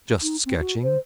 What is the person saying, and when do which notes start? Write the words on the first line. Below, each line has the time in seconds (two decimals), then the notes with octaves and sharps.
"Just sketching."
0.22 D#4
0.46 C4
0.59 F#4
0.83 C5